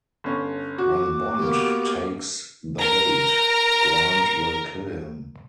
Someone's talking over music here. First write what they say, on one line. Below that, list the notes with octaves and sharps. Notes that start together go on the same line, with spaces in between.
When Bond takes the bait, Grant will kill him.
G1 C#4
F#4 D6
A#3 B3 G4
A#4 A#5